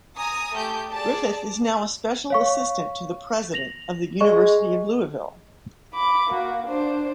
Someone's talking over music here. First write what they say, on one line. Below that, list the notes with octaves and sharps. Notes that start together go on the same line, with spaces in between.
Griffith is now a special assistant to the President of the University of Louisville.
G#5 A#5 D#6
A3 G4 G6
G#4 D5 A5
C#5 F5 C#6
A#6 F7 F#7
G#3 C#6
B5 D6
A#3 F#4
D4 C5